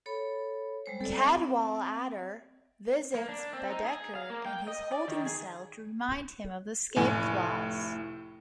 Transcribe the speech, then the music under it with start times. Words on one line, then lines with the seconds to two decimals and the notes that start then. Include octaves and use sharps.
Cadwallader visits Bedeker in his holding cell to remind him of the escape clause.
0.06 A4 C#5 B5
0.86 G3 G#3 C5
1.01 C4 A4 D5
1.16 E5
3.15 A#3
3.29 D4
3.53 C4
3.70 D#4
3.85 G#4
4.15 F5
4.30 A#3
4.46 G5
4.68 D#5
4.92 D5
5.08 D#3
5.26 G#4
6.97 F1 A2 G#5